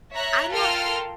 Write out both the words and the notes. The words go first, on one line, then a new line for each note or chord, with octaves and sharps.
I'm not
C#5 E5 A#5 F#6
F4 A4 A#4 G5 C6 F6